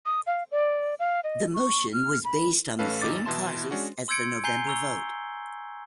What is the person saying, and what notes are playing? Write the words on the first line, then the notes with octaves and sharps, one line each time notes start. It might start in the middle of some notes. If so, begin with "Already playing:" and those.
The motion was based on the same causes as the November vote.
D#6
F5
D5
F5
D#5
C#6
F6
B5
A1 A3 C#4 A4 B4 F5
G#1 E2 D#4 D6 A6
B2 E3 E4 A5 C6 E7
G#3 C#4 D4 F#4
C6 E6 G6 G#6 C#7 D7
G#5 A#5 G6 C7 G7
A#5 C#6 E6 G7